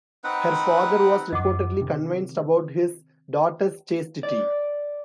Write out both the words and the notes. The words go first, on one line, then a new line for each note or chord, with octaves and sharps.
Her father was reportedly convinced about his daughter's chastity.
C4 D#4 B4 F#5
F#2 D#5 F#5 D6
C3 D#3
D5